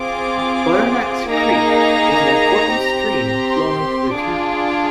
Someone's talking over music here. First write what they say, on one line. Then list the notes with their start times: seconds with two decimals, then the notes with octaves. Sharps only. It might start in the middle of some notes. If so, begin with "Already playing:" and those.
Butternuts Creek is an important stream flowing through the town.
Already playing: C4 F4 G#4 D6
1.30 A#3 D#4 G#4 A#5
2.72 C4 G4
3.44 C6
4.15 D4 F4 G#4 D6